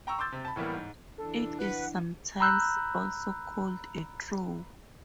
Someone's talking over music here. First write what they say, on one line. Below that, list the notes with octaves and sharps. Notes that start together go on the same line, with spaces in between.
It is sometimes also called a "throw".
G5 A#5 C#6 E6
C6 D6 E6 G6 A6
C3
A5 B5
A2 E3 G3 A#3 B3
G#2
E3 D4 A4
B4 F#5
A#5 B5 E6 F#6 G6